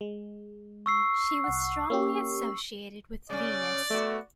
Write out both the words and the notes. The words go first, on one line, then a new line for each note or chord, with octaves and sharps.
She was strongly associated with Venus.
G#3
C#6 E6 C7
C2 F#5
A#3 C#4 G4
C#3 C#4 D5
A3 B3 F#4